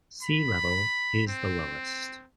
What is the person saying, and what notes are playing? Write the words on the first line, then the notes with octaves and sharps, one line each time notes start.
Sea level is the lowest.
B5
C4